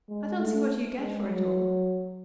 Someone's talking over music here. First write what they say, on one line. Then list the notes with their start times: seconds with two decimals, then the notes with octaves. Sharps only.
"I don't see what you get for it all."
0.09 G#3
0.38 A3
0.99 G#3
1.29 F#3